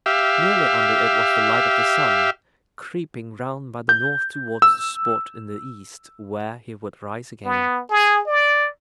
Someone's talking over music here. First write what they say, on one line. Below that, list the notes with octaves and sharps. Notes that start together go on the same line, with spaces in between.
Nearly under it was the light of the sun, creeping round by the north towards the spot in the east where he would rise again.
G4 E5 F5
G6
E6
B3
G#4
D5